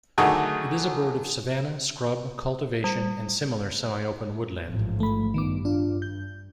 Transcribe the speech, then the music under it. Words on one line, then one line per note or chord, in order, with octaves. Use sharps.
It is a bird of savanna, scrub, cultivation and similar semi-open woodland.
D3 D#3 F#3 A3 F#4 G#4
G3
A1 G#2 F3
A3 B5
G2 D#3 B3 D6
D4 F4
G6